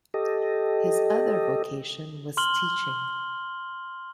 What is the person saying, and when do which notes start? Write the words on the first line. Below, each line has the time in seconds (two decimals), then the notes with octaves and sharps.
His other vocation was teaching.
0.14 G4 A4 D#5
2.37 C6 F6 F#7 G7